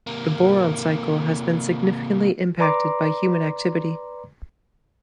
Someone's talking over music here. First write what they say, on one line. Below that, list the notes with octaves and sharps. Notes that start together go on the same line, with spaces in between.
The boron cycle has been significantly impacted by human activity.
C3 A#3
B4 D5 A#5 C6 D6